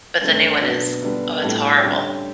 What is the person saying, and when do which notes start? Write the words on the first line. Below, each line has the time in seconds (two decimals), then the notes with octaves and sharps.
But the new one is Oh, it's horrible.
0.21 G2 D3 A3 C#4
0.61 B2 F#3 B3 D4
1.02 D3 G3 B3 D4
1.42 A2 G3 D4 A4
1.83 D3 G3 C#4 G4